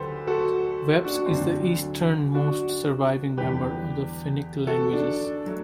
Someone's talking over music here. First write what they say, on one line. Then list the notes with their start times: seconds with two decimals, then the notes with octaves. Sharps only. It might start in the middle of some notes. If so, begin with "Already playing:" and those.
Veps is the easternmost surviving member of the Finnic languages.
Already playing: D2 D3 F#3 G4 A4 B4 C5
0.27 F#4 A4
1.05 D4 F#4
1.26 C4
1.31 D2 D3 F#3 D4
2.34 D4 F#4
3.37 E2 D3 G3 G4 B4
4.67 F#4 A4
4.93 D4
5.46 F#3 A3